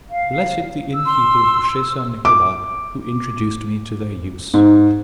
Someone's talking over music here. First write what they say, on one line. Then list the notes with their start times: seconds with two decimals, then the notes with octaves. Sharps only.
Blessed the innkeeper of Bouchet St. Nicholas, who introduced me to their use!
0.11 F5
0.93 E6
1.06 C6
2.25 D6
4.54 G#2